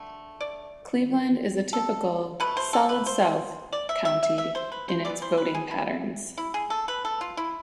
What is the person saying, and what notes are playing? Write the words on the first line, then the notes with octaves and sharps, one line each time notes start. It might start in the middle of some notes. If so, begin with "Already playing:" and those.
Cleveland is a typical "Solid South" county in its voting patterns.
Already playing: D3 A3 E5
D5
A4
B2 A3 B4
C5
A4
B4
C5
D5
E5
E5
E5
E5
C5
B4
C5
E3 B3 D5
C5
B4
G#4
E4
E4
G#4
A4
B4
A4
F4
E4